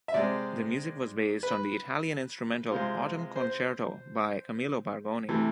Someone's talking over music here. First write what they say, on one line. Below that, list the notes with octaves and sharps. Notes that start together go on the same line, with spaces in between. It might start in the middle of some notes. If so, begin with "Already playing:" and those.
The music was based on the Italian instrumental, "Autumn Concerto," by Camillo Bargoni.
E5
C3 G#3 C4 D5
B4
C3 G#3 C4 F4
C5
C3 E3 A3